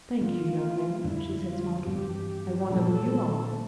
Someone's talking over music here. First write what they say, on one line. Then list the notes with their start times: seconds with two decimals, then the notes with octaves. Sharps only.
"Thank you, young man," she said smartly; "I wonder who you are?"
0.21 C3 E3 A3 D4 F4
1.04 F2 D3 G3 D4 E4
1.45 F4
1.87 G2 E3 G3 C4 G4
2.70 A#2 G3 A#3 D4 A4
3.53 A3